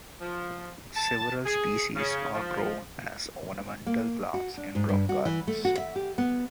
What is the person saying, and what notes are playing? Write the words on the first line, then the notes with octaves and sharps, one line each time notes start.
Several species are grown as ornamental plants in rock gardens.
F3
A5
G#4
C#3
F3
A#3
F#4
D4
G#2
G2
F#4
E3
A3
F#4
E5
G4
B3